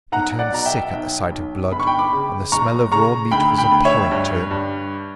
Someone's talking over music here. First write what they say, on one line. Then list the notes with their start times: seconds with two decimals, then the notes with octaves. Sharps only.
He turned sick at the sight of blood, and the smell of raw meat was abhorrent to him.
0.12 B1 F#5 A#5
0.39 D5 F#5
0.52 B2 A#5
0.65 E5 G5
0.93 B1
1.32 B1
1.72 G1 B5
1.80 C#6
1.87 G5 B5
1.99 B5 D6
2.12 C#3
2.52 F#1 A#5 C#6
2.91 C#3 A#5 C#6
3.31 D2 G5 B5
3.58 G5 B5
3.71 D2
3.85 C#5 E5
4.11 G2
4.51 G2